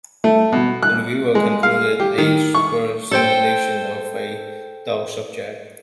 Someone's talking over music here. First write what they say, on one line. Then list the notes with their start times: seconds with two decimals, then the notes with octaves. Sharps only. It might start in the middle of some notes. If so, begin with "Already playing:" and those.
The reviewer concluded: "A superb simulation of a dull subject".
0.24 A3
0.52 B2
0.83 F#6
1.35 G#3
1.63 F5
2.00 G4
2.18 D#3
2.55 C#6
3.11 A4 C5 G5